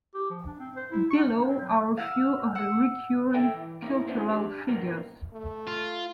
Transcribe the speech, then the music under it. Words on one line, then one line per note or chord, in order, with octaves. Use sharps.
Below are a few of the recurring cultural figures.
G4
F3
D4
C4
C5
E4
C#6
D4
C4
F#3
F5 F#5 E6 F6
F#5 E6 C#7
A4 E5 G5
E3
A#3 D#4 E4
C#4 D4 E4 F#4 B4 C5
D4 G4
F#2 A2 D#3 F3 A#3 B3
A3
F4